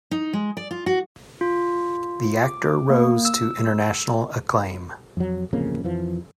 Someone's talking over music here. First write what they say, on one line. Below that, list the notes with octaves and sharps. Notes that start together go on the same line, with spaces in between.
The actor rose to international acclaim.
D#4
G#3
D5
F4
F#4
F4
D6
A#3
E6
F2 F#3
D1 F2 C#3 A#3
F2 E3 F3